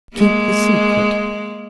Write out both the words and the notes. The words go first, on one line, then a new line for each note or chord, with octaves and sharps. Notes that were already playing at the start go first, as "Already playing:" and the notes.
Keep the Secret.
G#3 A#3